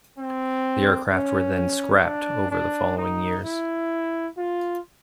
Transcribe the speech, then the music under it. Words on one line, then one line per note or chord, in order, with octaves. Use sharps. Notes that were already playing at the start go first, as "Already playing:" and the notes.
The aircraft were then scrapped over the following years.
C4
C#4
D4
D4
D#4
E4
F4